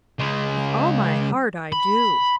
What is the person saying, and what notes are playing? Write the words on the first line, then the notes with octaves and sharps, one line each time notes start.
"With all my heart I do."
C#3 G#3
B5